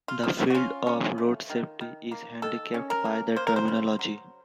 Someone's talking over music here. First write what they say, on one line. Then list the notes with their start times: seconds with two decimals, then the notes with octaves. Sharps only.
The field of Road safety is handicapped by the terminology.
0.08 F4
0.23 F3
0.50 F#4
0.55 C#4 F4
0.87 C#4
1.18 A3
1.50 D#3
1.81 D#3
2.11 A#3
2.42 D#3 A4
2.74 C#4
2.90 A#4
3.05 A#3
3.36 A#3 C5
3.47 A#4
3.56 C5
3.68 C#3
3.99 F#3